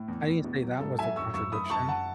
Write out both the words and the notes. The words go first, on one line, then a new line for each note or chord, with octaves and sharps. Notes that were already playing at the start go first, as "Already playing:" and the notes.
I didn't say that was the contradiction.
Already playing: A2
E2
E2
B2
F#3
G#2 A4
F#3 E5 G#5
F#2 C#6 E6
F#2 C#6 E6
F#2 B5 D#6
F#2 A5 C#6
F#2 F#5 A5